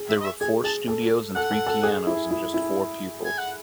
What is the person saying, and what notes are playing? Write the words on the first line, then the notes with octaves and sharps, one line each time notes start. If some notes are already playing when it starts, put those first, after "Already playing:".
There were four studios and three pianos and just four pupils.
Already playing: G#4
E5
D#5
E5
G#4 G#5
G#4 A5
A4
A4 F#5
A4
A4
G#4
E4
E4
E4
G#5
F#5